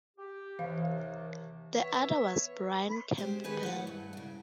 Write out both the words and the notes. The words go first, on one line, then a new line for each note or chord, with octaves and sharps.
The other was Brian Campbell.
G4
D#2 C3 E3 F5
B3 C#5 E5
G#3 D4 G4 C5
E2 D#3 D#4 G#4 B4 C#5
A2 F#5
G2
C#3 D4